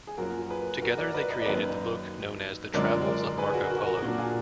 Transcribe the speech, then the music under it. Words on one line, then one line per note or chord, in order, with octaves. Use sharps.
Together they created the book known as "The Travels of Marco Polo".
G#4
F#2 F3 A#3 F#4 A#4
G#4 B4
F#4 A#4
A#4 D5
B4 D#5
B4 D#5
D5
F#2 D#3 A#3 B4 D#5
F#2 D3 F3 G#3 A#4 D5
A#4 D5
G#4 B4
G#4
F#4 A#4
F#4 A#4
F#4 A#4
G#4
A#2 F#3 D4 F#4 A#4
F4 G#4